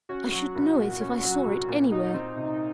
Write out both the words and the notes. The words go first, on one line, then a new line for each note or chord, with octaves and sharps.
I should know it if I saw it anywhere.
C#4 F#4
F#3
C2
A#2
C#4
F#3
C2
A#2
D#4 F#4
C4
C3